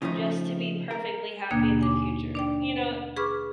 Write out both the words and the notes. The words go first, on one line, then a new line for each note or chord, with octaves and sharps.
just to be perfectly happy in the future?" You know?
C#3 F3 A3 D#4
A#4
D#2 B2 D3 A#3 D4 G#6
D#4 G#5 D6
D4 D5 G5
G#4 B4 B5 C#6 D6 F6